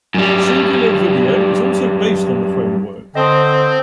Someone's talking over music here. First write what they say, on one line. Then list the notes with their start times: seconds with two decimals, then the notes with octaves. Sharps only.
Cingular Video is also based on the framework.
0.14 F#2 G3
3.15 D3 C4 C5 D#5 C6 D#6